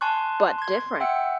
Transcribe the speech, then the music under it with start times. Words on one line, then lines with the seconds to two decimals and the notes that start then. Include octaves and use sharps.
But different.
0.01 G#5 A5 C6 C#6 F#6
0.58 C6 G#6
1.00 E5 F#5 G5 E6 C#7